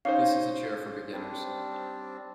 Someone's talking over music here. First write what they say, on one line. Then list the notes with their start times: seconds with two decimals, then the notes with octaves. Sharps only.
This is a chair for beginners.
0.05 C#4 D#4 C5 F5
1.13 G3 C4 D4